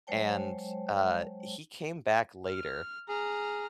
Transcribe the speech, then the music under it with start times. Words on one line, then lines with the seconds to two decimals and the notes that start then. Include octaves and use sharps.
And, uh, he came back later
0.07 F#3 G#3 C5 C#5 G5 A5
2.47 F6
3.09 G#4 A#5 F6